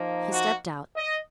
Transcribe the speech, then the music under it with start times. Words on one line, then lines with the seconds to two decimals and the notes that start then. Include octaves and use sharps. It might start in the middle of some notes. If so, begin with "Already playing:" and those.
He stepped out.
Already playing: F3 A#3 D#4
0.32 F#4
0.96 D#5